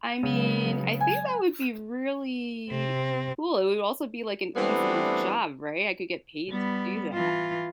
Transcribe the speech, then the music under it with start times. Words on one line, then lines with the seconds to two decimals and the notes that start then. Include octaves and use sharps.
I mean, I think that would be really cool. It would also be, like, an easy job, right? I could get paid to do that.
0.23 C#3 F#3 G#3 B3
1.00 G#5
2.70 C3 C4
4.56 E3 G3 A3 B3 C4 D4
6.50 G3 B3
7.13 E3 F4